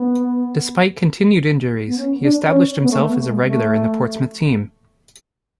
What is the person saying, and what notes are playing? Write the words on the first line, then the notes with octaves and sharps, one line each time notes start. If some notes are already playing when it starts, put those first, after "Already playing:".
Despite continued injuries, he established himself as a regular in the Portsmouth team.
Already playing: B3
B3
C#4
D4
C#4
B3
A3
B3
G#3
A3